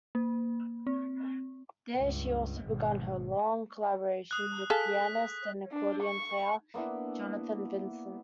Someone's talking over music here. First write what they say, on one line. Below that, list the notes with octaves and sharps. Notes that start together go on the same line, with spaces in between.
There she also began her long collaboration with pianist and accordion player Jonathan Vincent.
A#3
C4
C#2 G2
G#1 B2
D#6 F#6
G#4 A4 F5 B6
D4
C#6
A#3 B3 D4 E4